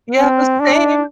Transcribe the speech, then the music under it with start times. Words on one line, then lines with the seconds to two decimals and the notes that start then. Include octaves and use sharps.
Yeah, the same.
0.18 C4
0.60 D4